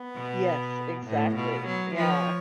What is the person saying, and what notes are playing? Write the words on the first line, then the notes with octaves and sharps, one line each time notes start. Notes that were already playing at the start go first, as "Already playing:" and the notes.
Yes, exactly. Yeah.
Already playing: B3
B2
B3
A2 A3
B3
B2 F4
B3
F#3 B3
F3 B4
C#5